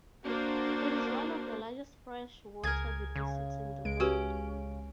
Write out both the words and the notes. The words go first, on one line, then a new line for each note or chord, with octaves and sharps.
It is one of the largest freshwater deposits in the world.
A#3 D4 F#4 A#4 C5
C#2 G#4 A#4 G#6
C#3
C#2 G#3 D7
C#4 F#4 G4 B4